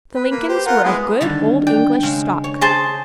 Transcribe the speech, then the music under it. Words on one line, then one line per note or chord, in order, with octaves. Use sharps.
The Lincolns were of good old English stock.
B4
A#3 B4
G4 C5
F4 A#4 F#5
G#3 B3 E4
D3 D#3 G3
D4 G5
C#3 G#3
C#5
G#4 C5 A5